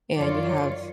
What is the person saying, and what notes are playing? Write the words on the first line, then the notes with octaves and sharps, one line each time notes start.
and you have
F#2 D#3 F4 C#5 D5